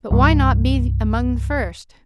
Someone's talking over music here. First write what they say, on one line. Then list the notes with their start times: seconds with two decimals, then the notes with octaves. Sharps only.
But why not be among the first?
0.11 C2 G2